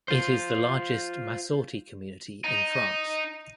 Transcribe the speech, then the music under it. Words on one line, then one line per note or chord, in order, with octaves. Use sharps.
It is the largest Masorti community in France.
F4 C5
D#4